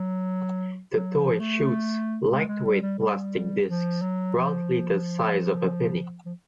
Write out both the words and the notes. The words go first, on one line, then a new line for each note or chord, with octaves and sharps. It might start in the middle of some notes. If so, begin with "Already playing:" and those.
The toy shoots lightweight plastic discs roughly the size of a penny.
Already playing: F#3
F#3
F3
A3
G#3
G#3
G3
G3
G3
F3
F#3
F3
F3